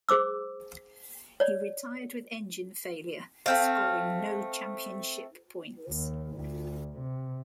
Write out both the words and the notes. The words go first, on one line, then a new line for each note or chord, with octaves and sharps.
He retired with engine failure, scoring no championship points.
G#4 C5 D6 E6
C#5 D5
A3 C4 F5
D#2
D2
C3